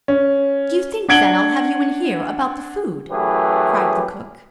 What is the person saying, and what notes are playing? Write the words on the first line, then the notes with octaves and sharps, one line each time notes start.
"Do you think then I'll have you in here about the food," cried the cook.
C#4
D4 F#5 G#6 D7 F#7 G7
F#2 E3 A3 G4 G#4 B4